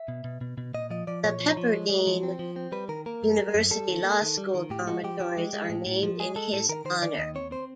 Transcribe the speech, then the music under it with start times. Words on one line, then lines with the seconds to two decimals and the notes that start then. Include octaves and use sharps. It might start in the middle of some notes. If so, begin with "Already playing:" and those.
The Pepperdine University Law School dormitories are named in his honor.
Already playing: E5
0.08 B2
0.24 B2
0.41 B2
0.58 B2
0.74 A#2 D#5
0.90 F3 D#5
1.07 F3 D5
1.24 A#2 C#5
1.40 F3
1.57 F3
1.73 G#3
1.90 G#3
2.07 F3
2.23 C4
2.39 F3
2.56 C4
2.72 G3 B4
2.89 D#3 A#4
3.06 A#3 A#4
3.23 F#2
3.38 G3
3.55 F#2
3.71 G3 A4
3.88 D#3
4.04 A#3
4.22 D#3
4.38 G3
4.54 D#3
4.70 A2 G4
4.87 G#3 F#4
5.04 F3 G4
5.20 F3 G4
5.37 G#3
5.53 G#3
5.70 A2
5.86 A2
6.03 F3
6.20 G#3 G#4
6.36 G#3 A4
6.53 A2 A4
6.69 D#3 A#4
6.85 D#3 C5
7.02 D#3 D5
7.18 D#2 D#5
7.35 C4 C#5
7.51 C4 C5